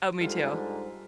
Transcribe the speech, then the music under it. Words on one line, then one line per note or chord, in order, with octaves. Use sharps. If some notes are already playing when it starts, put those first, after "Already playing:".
Oh, me too.
G#2 D3 G3 F4